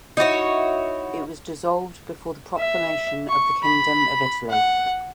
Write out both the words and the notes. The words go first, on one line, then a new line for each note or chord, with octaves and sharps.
It was dissolved before the proclamation of the Kingdom of Italy.
D#4 E4 F#4 C#5
E5
C#6
B5
F#5